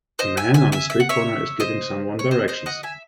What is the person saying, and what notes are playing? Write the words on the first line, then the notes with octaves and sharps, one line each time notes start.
A man on a street corner is giving someone directions.
C5 D#5
E5 G#5
E5 G#5
E5 G#5
E5
F#5
C#5 E5
C5 D#5
C#5
C5 D#5
C5 D#5
D#5 F#5
E5 G#5